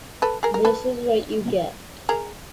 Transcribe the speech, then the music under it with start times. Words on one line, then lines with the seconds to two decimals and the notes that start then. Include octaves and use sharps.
This Is What You Get.
0.22 A4 B4
0.43 G#4 A#4
0.54 A#4
0.65 A4 B4
2.09 G#4 A#4